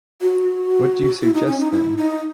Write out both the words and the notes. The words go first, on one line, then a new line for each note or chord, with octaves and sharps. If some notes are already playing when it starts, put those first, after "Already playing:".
What do you suggest, then?
F#4
E4
D#4
C#4
D#4
E4
D#4